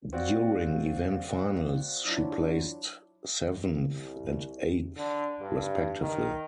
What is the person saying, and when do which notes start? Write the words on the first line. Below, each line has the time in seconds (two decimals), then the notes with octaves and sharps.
During event finals she placed seventh and eighth respectively.
0.13 C4 F#4 D5 F5
2.05 F#3 D4 E4 F4
3.80 C2
4.97 D3
5.41 G2
6.01 D#3